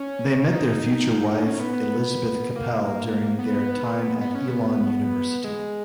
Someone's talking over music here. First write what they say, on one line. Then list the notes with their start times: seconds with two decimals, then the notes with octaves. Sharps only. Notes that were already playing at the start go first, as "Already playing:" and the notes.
They met their future wife Elizabeth Capel during their time at Elon University.
Already playing: C#4
0.49 D#4
1.32 D#4
1.46 C#4
1.60 B3
1.73 B3
2.56 A#3
3.39 B3
4.21 B3
4.35 C#4
4.48 B3
5.44 G#3